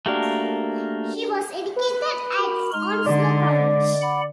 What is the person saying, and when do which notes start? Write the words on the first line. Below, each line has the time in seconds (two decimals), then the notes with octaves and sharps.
She was educated at Onslow College.
0.06 A3 A#3 D4 F#4 G4 A#4
1.76 B4
2.37 F#4 A#4 B5
2.73 G#3 D#4 C6 F6
3.06 D3 D5
3.57 G#3
4.01 F#5 B5